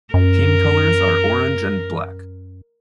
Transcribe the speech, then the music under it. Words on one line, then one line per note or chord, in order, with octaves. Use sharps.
Team colors are orange and black.
F#2 A#4